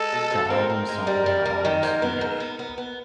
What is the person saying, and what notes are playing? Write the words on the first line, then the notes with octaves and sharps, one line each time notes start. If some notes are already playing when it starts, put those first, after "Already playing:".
The album's songs are all in Swedish.
Already playing: G#3 A4
B2
B2
C4 A#4
C4
G#3
G3
G3
G3
D#3
G#2
B3
G#2
B3
B3
B3